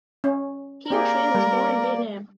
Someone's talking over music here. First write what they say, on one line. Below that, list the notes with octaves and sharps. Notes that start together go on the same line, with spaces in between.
Hieu Trinh was born in Vietnam.
C#4
A#3 C4 G4 G#4 A#4 D5
G3